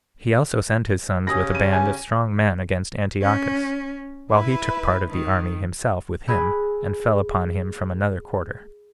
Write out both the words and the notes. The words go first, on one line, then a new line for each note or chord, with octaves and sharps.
He also sent his sons with a band of strong men against Antiochus, while he took part of the army himself with him, and fell upon him from another quarter.
C#3 C#4 G4 G#5 D#6 A#6
D#7
G#5
C#4
E4 B4
D#3
G#4 G5 B5 E6 F#6